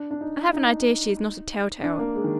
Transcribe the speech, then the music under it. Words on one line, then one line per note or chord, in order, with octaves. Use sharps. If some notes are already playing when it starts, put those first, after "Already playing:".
I have an idea she is not a telltale.
Already playing: D4
D4
D#4
D#4
D4
A#3
G#3
D#3